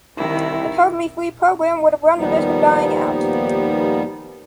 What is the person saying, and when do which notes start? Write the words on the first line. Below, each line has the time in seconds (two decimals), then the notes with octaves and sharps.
A totally free program would have run the risk of dying out.
0.17 C2 D#3 E4
2.17 D#2 F3 G3 B3 D#4